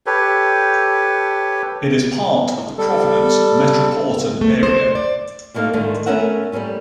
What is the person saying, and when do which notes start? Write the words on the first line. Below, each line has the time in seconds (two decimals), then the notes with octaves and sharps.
It is a part of the Providence metropolitan area.
0.06 G4 A4 B4 C#5
2.78 G3 A4
4.41 A3
4.63 C5
4.95 D5
5.54 G3 A3 A#3 D#4 A4 F5
5.73 D2 G#2 D3 D#3 A3
6.06 A3 B3 C#4 A#4 E5 F#5
6.52 G3 A#3 C4 C#4 E4